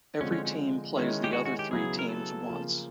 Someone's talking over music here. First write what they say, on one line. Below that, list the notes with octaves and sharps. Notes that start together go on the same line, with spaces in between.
Every team plays the other three teams once.
D3 F3 G#3 C4 C#4
C#4
C#4
D#3 G#3 C#4 E4
G4
F#4
F#4
G4
C#3 F#3 B3 E4 G#4
A#4
A4
C#3 F3 A#3